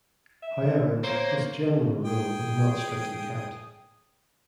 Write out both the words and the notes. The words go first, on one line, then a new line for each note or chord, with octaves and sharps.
However, this general rule was not strictly kept.
E5
A#3 C5 C#5
G#4 G5 D#6